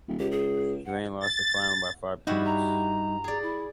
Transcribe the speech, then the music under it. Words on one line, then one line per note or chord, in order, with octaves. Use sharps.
Cavan lost the final by five points.
D#1
C#2 G4
G#4
F#5
A6
G2 G3 D#4 E4 F#4
A#5
G#4 D5
E4